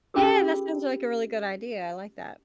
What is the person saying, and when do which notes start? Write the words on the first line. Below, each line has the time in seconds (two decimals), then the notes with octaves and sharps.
Yeah, that sounds like a really good idea, I like that.
0.14 C#4 F4 G4 G#4 A#4